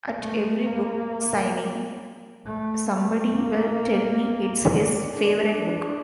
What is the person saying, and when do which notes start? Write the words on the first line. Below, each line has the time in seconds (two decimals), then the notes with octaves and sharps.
At every book signing, somebody will tell me it's his favorite book.
0.21 A3
0.66 A#3
2.46 A3
2.91 A3
3.36 A#3
4.71 D4
5.17 D4